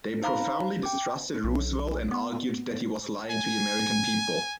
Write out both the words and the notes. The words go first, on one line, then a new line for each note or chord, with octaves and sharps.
They profoundly distrusted Roosevelt and argued that he was lying to the American people.
D#4 C5 F5 A#5 B5
G5 D6
B1
B3
G#5